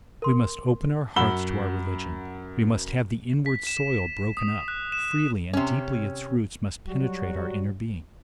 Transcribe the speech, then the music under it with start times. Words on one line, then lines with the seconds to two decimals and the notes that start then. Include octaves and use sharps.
We must open our hearts to our religion; we must have the inward soil broken up, freely and deeply its roots must penetrate our inner being.
0.22 A#4 C6
1.16 F#2 F#5 B5 E6 G7
3.46 B6
3.67 E7
4.37 D#6
4.68 F#6
4.92 E7
5.53 C3 C#4
6.88 F#3 G3 F#4